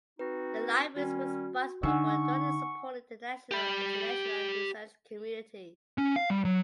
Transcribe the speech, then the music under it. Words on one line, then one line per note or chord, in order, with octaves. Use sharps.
The library is responsible for directly supporting the national and international research community.
C4 D#4 F#4 B4
D#3 G3 C#4 F#4
D3 D#4 F#5 G#5 C#6 E6
G4 B5
C#4
F5
G3
F#3